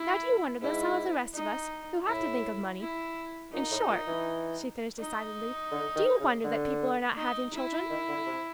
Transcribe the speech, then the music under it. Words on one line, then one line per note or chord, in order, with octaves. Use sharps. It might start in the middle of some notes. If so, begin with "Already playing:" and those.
Now do you wonder that some of the rest of us, who have to think of money--in short," she finished decidedly, "do you wonder that people are not having children?
Already playing: E4
G#2 E4
D#4
A2 E4
E4
A#2 D#4
A2
A#2
E3
D#4
D3
D#3
C#3
D3
D#4
E4
D#3
D3
C3